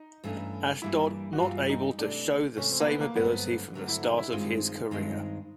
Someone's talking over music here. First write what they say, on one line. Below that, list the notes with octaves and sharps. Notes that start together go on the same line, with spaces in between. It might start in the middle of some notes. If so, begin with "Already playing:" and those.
Ashdod not able to show the same ability from the start of his career.
Already playing: D#4
G2 E3 A3 C#4
G2 E3 G3 A#3 E4
F#4
G2 E3 G3 A#3 F4
D#4
C3 E3 A3 D4
C3 E3 A3 C#4
C4
A#3
B3
A#3
G2 D3 F#3 A3 B3 C4
G2 D3 F#3 A3 C4
E4
D#4
E4
G2 D#3 G#3 C4 D#4 F4
G2 D#3 G#3 C4 D#4